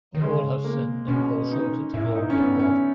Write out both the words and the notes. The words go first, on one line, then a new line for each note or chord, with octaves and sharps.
For all have sinned and fall short of the glory of God.
D#3
C#3 G#3
A#3
B2 C#4
D#4
G#2 E4
A#2
G#2 D#4
C#4
G2 B3
C#4